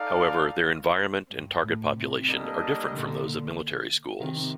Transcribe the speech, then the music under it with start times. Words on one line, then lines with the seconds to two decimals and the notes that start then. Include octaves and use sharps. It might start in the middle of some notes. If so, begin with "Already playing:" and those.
However, their environment and target population are different from those of military schools.
Already playing: D#4 A4 D5 F5
1.30 G2
1.62 A2
1.95 C3
2.27 G3 A#3 D4 A4 D#5
2.91 A#2 D3
4.20 C3 D#3